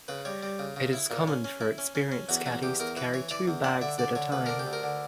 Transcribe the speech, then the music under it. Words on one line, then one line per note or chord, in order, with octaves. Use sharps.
It is common for experienced caddies to carry two bags at a time.
C#3 B4
G3 C#5
G3
C#3
C#3
E4
A#2
C#4
C#4
E4
C#4
C#4
C#4
E2 F#4
E2 F#4
E2 G4
E2 A#4
E3 B4
E3 C#5
E3 D5
E2
D4 F#5
D3 E5
D3 D5
D3 C#5
D2 B4
D4 A#4
G4
D2
A#4
D3